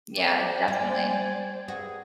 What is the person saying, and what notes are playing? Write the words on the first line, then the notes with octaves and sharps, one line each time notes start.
Yeah, definitely.
F#2 F#4 C5 D5 G5 D6
G3 G#5
G2 C4 F#4 G#4